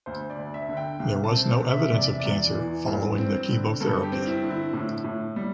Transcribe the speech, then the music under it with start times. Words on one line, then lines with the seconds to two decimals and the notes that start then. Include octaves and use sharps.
There was no evidence of cancer following the chemotherapy.
0.06 D2 C5
0.30 D5
0.38 D2
0.54 E5
0.69 D3
0.77 G5
1.00 C2
1.24 A5
1.31 C4
1.62 C3
1.71 E5
1.93 E2 D5
2.07 E5
2.20 D5
2.25 E2
2.56 E3
2.87 G2
3.18 C4
3.49 D3
3.80 G2 A4
4.03 G4
4.12 C4
4.27 E4
4.43 D3
4.51 E4
4.73 A2
5.04 A2
5.36 G3